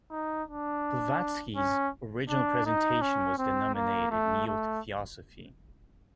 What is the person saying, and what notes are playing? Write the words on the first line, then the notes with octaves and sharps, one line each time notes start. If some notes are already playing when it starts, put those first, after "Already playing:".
Blavatsky's original presentation was denominated Neo-Theosophy.
D#4
D4
C#4
D4
D#4
C#4
C4
A#3
A3
A3